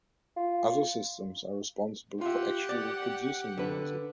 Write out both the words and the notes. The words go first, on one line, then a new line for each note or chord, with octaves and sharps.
Other systems are responsible for actually reproducing the music.
F4
F4 G4 E5 F#5
D5
D3 B4